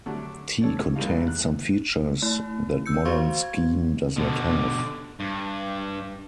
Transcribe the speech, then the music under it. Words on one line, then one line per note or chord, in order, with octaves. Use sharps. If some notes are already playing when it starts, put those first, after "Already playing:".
T contains some features that modern Scheme does not have.
D3 F#3 G3 A3 D4
A4 C#5 D5
C2 G2 E3 G#3 D#4 F5
F#6
A3 E4
E6 G6 C#7
F#4 C5 F5 C6 C#6
G#6
B2 D3
G2